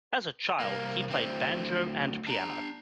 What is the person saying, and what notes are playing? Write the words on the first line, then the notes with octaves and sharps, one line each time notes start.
As a child, he played banjo and piano.
C2 A#3
D2 C4
D4 A#5